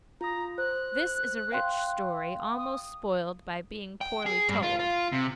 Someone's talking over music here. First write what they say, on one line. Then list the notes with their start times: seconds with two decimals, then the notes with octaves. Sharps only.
This is a rich story almost spoiled by being poorly told.
0.21 F4 A#5 D#6
0.58 C5 F#6
1.52 F5 G5 C6
2.57 D#6
4.01 G5
4.26 G#4
4.49 G2
4.63 F4
4.79 F4
5.13 C3